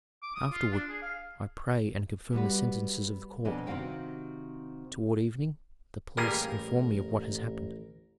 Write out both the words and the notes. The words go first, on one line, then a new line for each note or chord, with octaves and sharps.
Afterward I pray and confirm the sentences of the court; toward evening the police inform me of what has happened.
D6
D#6
F4
D4
G#4
F5
G3 B3 F#4 B4
F2 B2 D4 G#5
C3 D#3 F#4 F5 G5
A1 G3 A#3 G#4 A#4